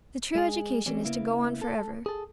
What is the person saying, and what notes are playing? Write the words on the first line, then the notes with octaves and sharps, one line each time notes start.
The true education is to go on forever.
G#3 G#4
E3 G3 C4 C#4
C#3 A#3 B3 E4
A4
G#4 A4